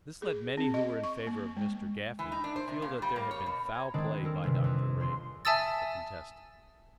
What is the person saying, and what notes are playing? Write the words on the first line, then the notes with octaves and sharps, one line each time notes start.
This led many who were in favor of Mr. Gafney to feel that there had been foul play by Dr. Ray, the contestant.
G#4
C4
D#5
C#6
A#3
G#3
E3
D#4
D4
C5
C3
A#2
G3
A#3
C#5
B2
A#5 G#6
D#3 G#3 C4 D4
G3 C4 A4 A#4
G1 C3
F2
C#2 C6 C7
E5 G#5 A5 D#6 E6 A6